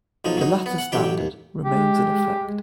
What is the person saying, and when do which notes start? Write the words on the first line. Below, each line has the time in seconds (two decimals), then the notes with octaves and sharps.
The latter standard remains in effect.
0.25 B1 F3 D#4
0.37 F#3 D#4
0.66 B3
0.78 F#5
0.92 A1 F#3 G4 G5
1.18 D#2
1.65 G#3 G4